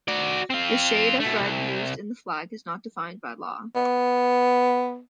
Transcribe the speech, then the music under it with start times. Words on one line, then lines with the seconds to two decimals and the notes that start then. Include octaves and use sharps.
The shade of red used in the flag is not defined by law.
0.08 F#4 D5
0.50 C4 F4
1.20 B2 A3
1.39 C2
3.75 B3